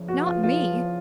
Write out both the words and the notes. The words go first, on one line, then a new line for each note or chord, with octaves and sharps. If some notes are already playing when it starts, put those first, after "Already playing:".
Not me!
Already playing: E2 C#3 F3
F#4
F4
F4